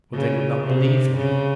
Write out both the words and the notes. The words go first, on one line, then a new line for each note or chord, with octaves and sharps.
But they would not believe him.
C#3
C3
C#3